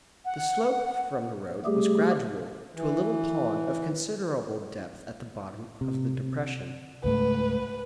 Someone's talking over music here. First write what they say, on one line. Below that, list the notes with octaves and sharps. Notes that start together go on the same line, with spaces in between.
The slope from the road was gradual to a little pond of considerable depth at the bottom of the depression.
F#5
G3 A3 G4 G#4
E3
C3
C#2 G#2 A3 B4